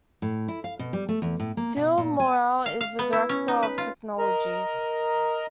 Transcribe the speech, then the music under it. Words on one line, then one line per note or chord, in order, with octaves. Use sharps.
Phil Morle is the director of technology.
A2
E4
F5
B2
G3
A3
E2
A2
A#3
B2
A#2
G#5
F5
F5
B3
E4
C#4
D#4
B4
F4
A#4 D#5 A#5